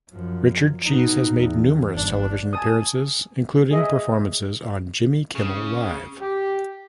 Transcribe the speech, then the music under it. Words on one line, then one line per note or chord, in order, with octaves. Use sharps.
Richard Cheese has made numerous television appearances, including performances on Jimmy Kimmel Live!
F#2 F3
B2 D#4
E2
G1 D4
G#5 A5 D#6
G#4 D#5 E5
C#3
G4